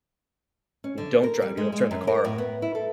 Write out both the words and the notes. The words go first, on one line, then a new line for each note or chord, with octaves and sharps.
and you don't drive, you don't turn the car on.
C#4
D3
A#4
G3
G#3
G#3
F#2
A#4
A2
B3
E4
A4